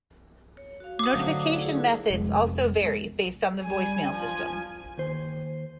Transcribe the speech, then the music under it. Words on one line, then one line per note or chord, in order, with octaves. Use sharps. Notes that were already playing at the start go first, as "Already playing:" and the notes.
Notification methods also vary based on the voice-mail system.
C#5
F#4 F5
D6 D#6
D3 F#3 A3 C5 F5
D#4 E4 G#4
F1 G#3
G3 G#5
F3 G#5
D#2 C5